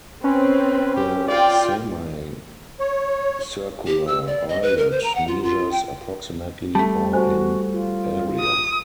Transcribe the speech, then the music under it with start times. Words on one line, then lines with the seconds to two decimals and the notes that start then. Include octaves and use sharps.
The semicircular islet measures approximately or in area.
0.24 C4 C#4 B4
0.96 G4
1.28 F4 D5 G5
2.80 C#5
3.87 G4
4.07 E6
4.27 D5
4.49 D#5
4.62 B4
4.77 A#4
4.91 C5
5.04 A#5
5.15 F#5
5.28 F4
5.43 F4
5.72 G5
6.75 G3 A3 A5
7.13 F#4 C5 G#5 F#6
7.73 F4
8.40 D#6